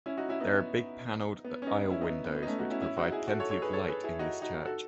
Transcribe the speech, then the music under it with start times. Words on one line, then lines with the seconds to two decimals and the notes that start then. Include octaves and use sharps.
There are big panelled aisle windows which provide plenty of light in this church.
0.06 C#4 E4
0.17 D#4 F#4
0.29 C#4 E4
0.40 B3 D#4
1.44 B3
1.62 C#4
1.67 B3 D#4
1.90 C#4 E4
2.01 B3 D#4
2.25 B3
2.36 B3
2.43 D#4
2.47 A3 C#4
2.58 D#4 F#4
2.70 C#4 E4
2.82 C#4 E4
2.97 D#4 F#4
3.12 E4 G#4
3.27 F#4 A4
3.40 A4 C#5
3.51 A4 C#5
3.62 G#4 B4
3.73 A4 C#5
3.88 G#4 B4
4.04 E4 G#4
4.19 D#4 F#4
4.42 D#4 F#4
4.65 F#4 A4